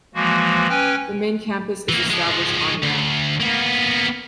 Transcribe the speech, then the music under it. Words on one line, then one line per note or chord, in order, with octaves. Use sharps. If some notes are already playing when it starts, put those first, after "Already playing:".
The main campus is established on land.
E3 F3 G#3 A#3 F#4
C#4 B4 G5 G#5
E3 A#3
F3 G#3
D2
A#3 B3